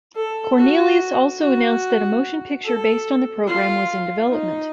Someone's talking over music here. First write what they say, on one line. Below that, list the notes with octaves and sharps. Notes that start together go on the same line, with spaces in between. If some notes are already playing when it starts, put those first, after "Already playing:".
Cornelius also announced that a motion picture based on the program was in development.
A4
F#4
F#4
A4
F4
D#4